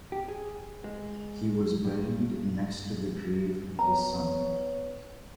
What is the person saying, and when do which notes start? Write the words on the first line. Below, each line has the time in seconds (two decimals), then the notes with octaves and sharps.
He was buried next to the grave of his son.
0.12 G4
0.28 G#4
0.84 G#3
1.85 G2
3.79 B3 C#5 A#5